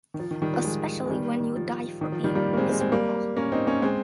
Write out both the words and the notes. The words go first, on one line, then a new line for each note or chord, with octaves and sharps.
Especially when you die for being miserable.
D#3
F3
D#3
D#3 G3
F3
F3 G#3
G#3
D#3 G3
D#3
F3
D#3
F3
D#3 G3
G3 A#3
A#3
G#3 C4
G#3 C4
G#3 C4
G3 A#3
A#3 C#4
C4 D#4
A#3 C#4
G#3 C4